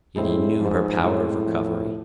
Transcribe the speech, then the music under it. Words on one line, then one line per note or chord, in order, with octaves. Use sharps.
Yet he knew her power of recovery.
A2 G#3 C4 E4
G#2 F3
A2 G#3 C4 E4
F3